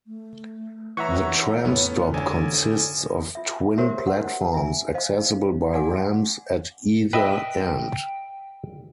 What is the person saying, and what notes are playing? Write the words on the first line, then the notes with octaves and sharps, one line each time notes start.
The tram stop consists of twin platforms accessible by ramps at either end.
A3
E3 C#5 E5 F#5 A#5 C#6
F2 A2 B3 C#4
G#1 D3 G#5
F4 E5
F#4 G4 A#4 C5 C#5 E5
F#5
E5 G#5
C5 D#5 F5
F#4 D5 F5 F#5 G#5 D6
B4 D#5 E5 G5